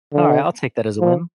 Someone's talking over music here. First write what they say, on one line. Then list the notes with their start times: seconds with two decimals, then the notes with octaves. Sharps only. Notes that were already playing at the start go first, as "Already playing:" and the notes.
Alright. I'll take that as a win.
0.13 D3
1.00 F3